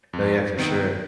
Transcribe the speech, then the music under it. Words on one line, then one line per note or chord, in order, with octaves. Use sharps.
No, yeah, for sure.
F2
C3 D#3 B3